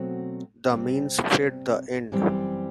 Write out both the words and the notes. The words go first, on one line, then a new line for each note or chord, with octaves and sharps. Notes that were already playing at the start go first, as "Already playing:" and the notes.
The means fit the end.
Already playing: B2 F#3 A3 C4 F#4
C3 G3 C4
F#2 E3 G3 C4